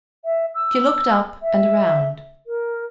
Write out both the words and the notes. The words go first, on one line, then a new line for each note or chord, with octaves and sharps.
She looked up and around.
E5
E6
E5
A#4